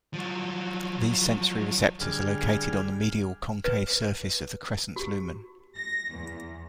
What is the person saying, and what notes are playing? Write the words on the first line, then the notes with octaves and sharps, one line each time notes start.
These sensory receptors are located on the medial concave surface of the crescent lumen.
F3 F#3
D3 G3 G#4 F6
B4
F#4 G4
A#6
E2